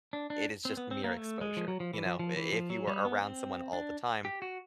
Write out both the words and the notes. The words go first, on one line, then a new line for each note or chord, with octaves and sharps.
it is just mere exposure. You know, if you are around someone all the time,
D4
D4
C4
B3
C4
A#3
A3
G#3
F3
F#3
F3
E3
F3
F3
E3
F3
F#3
G3
B3
C4
D4
G4
F#4